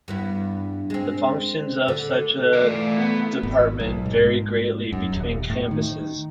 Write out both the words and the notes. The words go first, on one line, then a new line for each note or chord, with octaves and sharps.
The functions of such a department vary greatly between campuses.
G2 B3 E4
G#3 C4
D3 A3
E3 A3 A#4 D5
B3
G#1
B1
G#2
F#2
D#1
A2
D#3